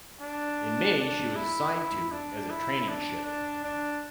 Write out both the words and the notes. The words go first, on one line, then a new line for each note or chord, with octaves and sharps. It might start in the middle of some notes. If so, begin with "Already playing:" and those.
In May she was assigned to as a training ship.
D4
D4
E4
E4
D4
E4
D4
D4
D4